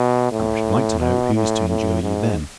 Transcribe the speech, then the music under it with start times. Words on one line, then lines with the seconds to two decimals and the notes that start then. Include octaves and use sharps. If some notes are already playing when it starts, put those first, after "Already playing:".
And I should like to know who's to endure you then?
Already playing: B2
0.32 A2
1.00 B2
1.34 A2
1.69 A2
2.03 G#2